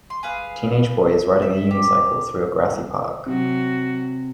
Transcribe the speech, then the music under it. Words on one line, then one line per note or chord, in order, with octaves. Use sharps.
Teenage boy is riding a unicycle through a grassy park.
C6
G#4 B4 F5
E5
G4
C3 F#3 F#4